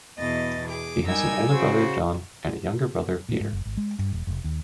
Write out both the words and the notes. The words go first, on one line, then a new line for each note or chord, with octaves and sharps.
He has an older brother, John, and a younger brother, Peter.
E2 B2 D#5 A6
G#4 D6
G3 D#4 A#4 G#5 E6 G#6
C#3 F#4 C5
A#2
G#2
F#1
G#1
G#3
G2
E1
F1
D#2